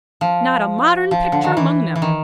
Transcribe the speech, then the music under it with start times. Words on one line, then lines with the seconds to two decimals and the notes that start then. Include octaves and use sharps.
Not a modern picture among them.
0.21 F3
1.11 F3
1.32 D3
1.44 D#3
1.57 E3
1.96 E3
2.02 D#3